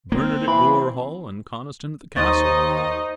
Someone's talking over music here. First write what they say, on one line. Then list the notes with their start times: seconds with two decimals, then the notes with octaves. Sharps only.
"Bernard at Gore Hall and Conniston at the castle."
0.12 A#3 C4
0.48 E3 B5
2.16 D#2 D#4 C5 D#5 C6 C#6 A6